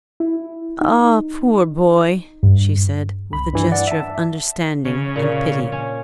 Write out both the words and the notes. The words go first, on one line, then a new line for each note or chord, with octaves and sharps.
"Ah, poor boy!" she said, with a gesture of understanding and pity.
E4
D#4
G2
C2 B5
G2 E3
D5 F#5
E5 A5
C#3
A#2
C#4